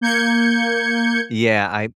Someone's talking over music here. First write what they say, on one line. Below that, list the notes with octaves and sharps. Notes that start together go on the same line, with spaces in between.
Yeah, I
A#3 G6 G#6 C#7